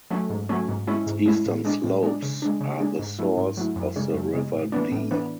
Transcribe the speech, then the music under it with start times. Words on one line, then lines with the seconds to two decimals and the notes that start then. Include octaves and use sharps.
Its eastern slopes are the source of the River Dee.
0.11 F#3 A3 C#4
0.30 G#2
0.49 F#3 A3 C#4
0.69 G#2
0.87 G#3 C#4 E4
1.07 G#2
1.26 G#3 C#4 E4
1.46 A2
1.65 G#3 D4
1.84 A2
2.03 G#3 D4
2.23 C#3
2.42 G#3 D4
2.61 C#3
2.80 G#3 D4
2.99 G#2
3.19 F#3 A3 E4
3.37 G#2
3.57 F#3 A3 E4
3.76 F#2
3.96 C#3 G#3 C#4
4.14 F#2
4.34 C#3 G#3 C#4
4.53 A2
4.72 E3 B3 D4
4.92 A2
5.11 E3 B3 D4